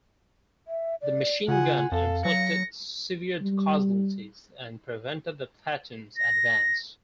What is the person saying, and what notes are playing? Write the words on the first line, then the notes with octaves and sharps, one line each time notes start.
The machine gun inflicted severe casualties and prevented the platoon's advance.
E5
D5
C#3 F4 F#5 G#5
F2 A4 F5
F#3 A#6 C#7
G3
A#6